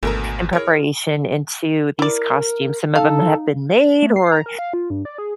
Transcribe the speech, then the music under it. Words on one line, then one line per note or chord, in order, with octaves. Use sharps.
and preparation into these costumes, some of them have been made, or
G#1 D2 B2 A4 A#4 A#5
E4 G#4 A#4 C#5
E4 A#4 D5
D#4 A4 F5
A3
C7
A#5
A#4
F5
F4
G2
D5
G#4